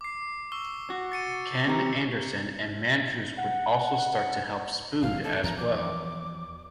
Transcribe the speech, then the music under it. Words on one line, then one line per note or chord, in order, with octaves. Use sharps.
Ken Anderson and Mandrews would also start to help Spud as well.
D6 C7
C#6 E6 G7
F#4
A6 C#7 D#7
C4 G4 A#5
F#5
G#1 F#2 F5
C3 A4
E2 F3 F#3 A#5
D6